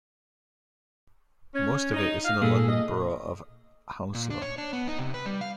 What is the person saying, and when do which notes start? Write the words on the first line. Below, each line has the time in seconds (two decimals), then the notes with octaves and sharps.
Most of it is in the London Borough of Hounslow.
1.54 C#4
1.94 D#4
2.25 F5
2.42 A#2 G#4 A4
2.69 D#5
4.15 A#2
4.30 D4
4.42 C#5
4.58 D4
4.73 B3
4.87 D#4
4.99 C3
5.14 B4
5.26 G3
5.41 F5